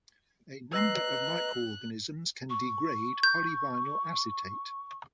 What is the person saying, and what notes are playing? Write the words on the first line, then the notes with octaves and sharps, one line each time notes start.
A number of microorganisms can degrade polyvinyl acetate.
B4 D#5 A#5 E6 F#6 A#6 C7
C#6
G6